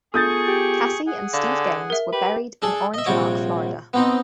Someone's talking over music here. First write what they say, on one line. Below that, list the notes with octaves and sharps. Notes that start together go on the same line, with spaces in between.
Cassie and Steve Gaines were buried in Orange Park, Florida.
B3 F4 G#4 A4 C#6 D#6 G6 A6
G4
G#4 F#5 G#5
D3 F5
A#4 E5
G4 B4
D4 G#4 A4
D#5 E5
A#1 C3 G3 F#4 C#5 D6
B3 C4 D#4